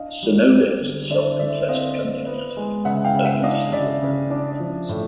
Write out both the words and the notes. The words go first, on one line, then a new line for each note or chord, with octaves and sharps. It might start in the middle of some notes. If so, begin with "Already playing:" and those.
Sonoda is a self-confessed gun fanatic, owning several replica guns.
Already playing: D4 D#5 F5
G3
G3
D3
D3 D5 E5
D3 D5 E5
C4 D#5 F5
C4
B3
G#3
C#3 E5 F#5
F5 G5
C#3
E5 F#5
D4 D#5 F5
C#3 D5 E5
C#3
D4
F3
A2